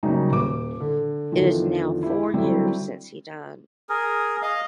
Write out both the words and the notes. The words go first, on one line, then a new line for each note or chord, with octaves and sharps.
It is now four years since he died.
C#3 F#3 G3 A#3 D#4
D#1 D6
D3
E2 D3 D#3 F3
E4 G4
D3 F#3 G3 C4 E4
G#4 A#4
D#5 F5